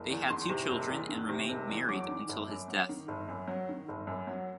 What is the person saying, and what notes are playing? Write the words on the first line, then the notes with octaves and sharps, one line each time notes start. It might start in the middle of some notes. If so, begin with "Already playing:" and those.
They had two children and remained married until his death.
Already playing: F#1
E2
D#3 C6
C3
F#1
E2
D#3
C3
F#1
E2
F#3 D6
D#3
G1
F#2
F#3
D#3
G1
F#2
F#3
D#3
G1
F#2
F#3